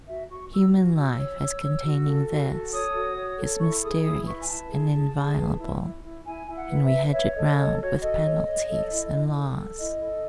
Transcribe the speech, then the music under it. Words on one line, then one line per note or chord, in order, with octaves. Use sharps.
Human life, as containing this, is mysterious and inviolable, and we hedge it round with penalties and laws.
F#4 E5
F#4 C#6
F#4 E6
F#4
F#4 E6
C#5
C#5
C#5
F#4
A4
F#4
A4
C#5 D#6
F#4
C#5
A4
E4 C#6
G#4 D#6
E4 D#6
B4 C#6
G#5
E4 A5
G#4
G#4
G#4
B4
E4
E4
E4
E4 G#5
E4
F#5
B4
E5
B4
C#5 E5
A4 D#5
C#5 D#5
F#4 C#5
A4 D#5
C#5
C#5
A4
E4
E4
A4
A4
E4 D#5
A4